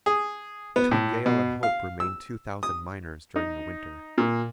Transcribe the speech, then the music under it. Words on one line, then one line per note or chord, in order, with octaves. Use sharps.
Between Yale and Hope remained two thousand miners during the winter.
G#4
B3
A2
B2
F5
E6
D#6
D#4
A#2